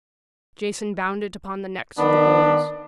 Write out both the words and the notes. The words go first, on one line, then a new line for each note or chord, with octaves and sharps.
Jason bound it upon the necks of the bulls.
D#3 B3 D4